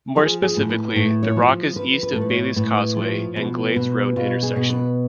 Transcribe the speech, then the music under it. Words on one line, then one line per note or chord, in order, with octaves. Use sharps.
More specifically, the rock is east of the Bailey's Causeway and Glades Road intersection.
F3 G#4
G#4
A2
B4
A2 A4
C#5
F3
F3 B4
B4
A2 A4
B4
C#5
A2 B4
F3
B2
B2
B2 F4
G#4
B2
B4